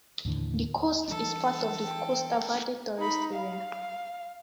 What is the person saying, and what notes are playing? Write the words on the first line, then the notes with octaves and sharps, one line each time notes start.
The coast is part of the Costa Verde tourist area.
D#2 A2 D3 E3
E3 G3 D4 A4 A5
G5
D#4 B5
F5